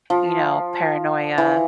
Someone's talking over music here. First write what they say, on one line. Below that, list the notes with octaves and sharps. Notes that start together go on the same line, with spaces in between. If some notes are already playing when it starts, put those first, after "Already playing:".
you know, paranoia,
F3
E3